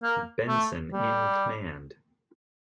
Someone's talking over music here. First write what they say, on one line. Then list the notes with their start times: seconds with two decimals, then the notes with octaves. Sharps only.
Benson in command.
0.03 A#3
0.48 A3
0.93 G3